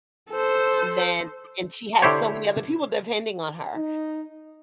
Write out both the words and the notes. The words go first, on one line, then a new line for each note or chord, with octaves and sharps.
than and she has so many other people depending on her,
A4 C5
D3 E4 G4 C5 C#5
D#4